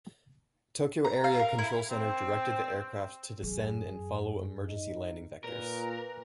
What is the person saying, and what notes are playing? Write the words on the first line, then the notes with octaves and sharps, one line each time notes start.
Tokyo Area Control Center directed the aircraft to descend and follow emergency landing vectors.
A#5
F5
A#4
E4
C4
F#2 G#4
D#4
A#2 A#4 B4